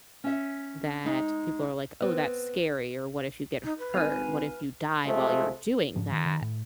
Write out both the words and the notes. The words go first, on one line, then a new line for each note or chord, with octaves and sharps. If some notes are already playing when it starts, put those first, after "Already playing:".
that people are like, "Oh, that's scary," or "What if you get h hurt? What if you die while you're doing that?"
C#4 E5
G#3 D#4
B3 C4
D#4
B4
G#1 F5 G#5
C3 F3 G#3 A3
G#2 F3
D#3
D#3
A2